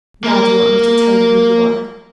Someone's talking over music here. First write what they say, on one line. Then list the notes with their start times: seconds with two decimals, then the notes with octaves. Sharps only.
Now do you want me to tell you who you are?
0.24 A#3 A#4